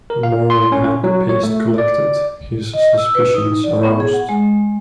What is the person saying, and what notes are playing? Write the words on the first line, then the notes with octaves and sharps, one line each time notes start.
Moran had the paste collected, his suspicions aroused.
A#4
F5
C6
C#4
F#3
C#5
A3
D5
D#5
E6
B4
D#4
D5
B3
G#4
F#5
G#3